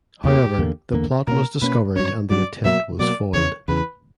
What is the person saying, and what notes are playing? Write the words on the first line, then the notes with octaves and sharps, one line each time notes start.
However the plot was discovered and the attempt was foiled.
E2 C#3 E3 A#3 G4
E2 D3 A#3
E2 D3 A#3
B2 A#3 C#4 A#4
B2 A#3 C#4 B4
G2 F#3 C#4 C#5
G2 F#3 C#4 D5
B2 F#3 A#3 E5
B2 F#3 A#3 D5
E2 C#3 E3 C#5
E2 C#3 E3 B4